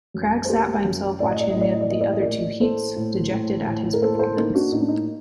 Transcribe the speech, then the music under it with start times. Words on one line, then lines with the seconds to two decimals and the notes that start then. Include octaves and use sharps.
Cragg sat by himself watching the other two heats, dejected at his performance.
0.14 F#2
0.45 C5
0.49 A#3 G4 A#4
0.84 F#2
1.20 A2 D5
1.31 D#5
1.40 D5
1.51 A2 D#5
1.61 D5
1.71 D#5
1.81 D5
1.90 A#3 D#5
2.01 D5
2.12 D#5
2.21 A2 A#4 D5
2.60 A#3 A4 C5
2.96 A2
3.31 A2
3.66 A2
3.93 A#4
4.02 A#3 A4 C5
4.12 A#4
4.19 A4 C5
4.37 A#3 D#4
4.55 D4 F#4
4.72 A2 D#4
4.81 D4
4.89 D#4